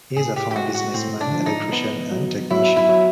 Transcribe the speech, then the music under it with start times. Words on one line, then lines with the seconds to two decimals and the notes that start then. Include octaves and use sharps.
He is a former businessman, electrician and technician.
0.16 A2 G#4
0.36 G4
0.51 G4
0.55 G#3 F#4
0.75 F#4
0.94 A2 C4
1.21 D4
1.34 F3
1.46 D#4
1.73 B3
2.11 F#3
2.50 F#3 E4
2.76 E4
2.89 F#3